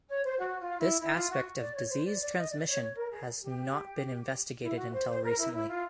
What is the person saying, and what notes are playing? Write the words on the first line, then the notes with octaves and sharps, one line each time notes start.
This aspect of disease transmission has not been investigated until recently.
C#5
C5
F#4
F4
E4
E4
F4
F#4
D5
C#5
C5
D5
D5
D#5
D5
C#5
C#5
A#4
G#4
G4
E4
F#4
C5
C5
A#4
E4
E4
F4